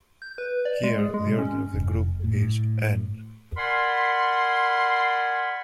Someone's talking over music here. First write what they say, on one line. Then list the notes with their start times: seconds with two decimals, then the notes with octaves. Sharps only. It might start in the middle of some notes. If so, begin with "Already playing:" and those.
Here the order of the group is "n"!
0.22 G6
0.38 B4
0.65 D5
0.83 G#3
0.99 G#4
1.14 G#3
1.27 B2
1.39 C#4
1.74 F1
2.24 A2
3.56 A#4 D5 F#5 G#5 B5 C6